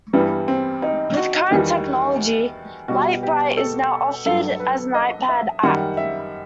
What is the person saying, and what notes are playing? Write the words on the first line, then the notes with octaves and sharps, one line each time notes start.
With current technology, Lite-Brite is now offered as an iPad app.
G2 E3 G3 B3
C4
D#4
F#4
E2 D#3 G3
B2 G3 F#4
G4
A4
G2 F#3 A4
B4
D#5
E5
F#2 D#3 G3 F#5
E5